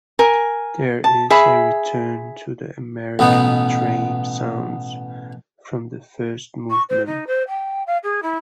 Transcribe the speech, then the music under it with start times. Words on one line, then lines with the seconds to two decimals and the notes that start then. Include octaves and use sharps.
There is a return to the American train sounds from the first movement.
0.19 A#4 G#5
1.04 A5
1.30 G#4 E5 B5
3.19 A1 B2 B3 D#4
6.70 C#6
6.89 C5
7.06 D#4
7.27 C5
7.48 G5
7.87 F5
8.03 G#4
8.23 E4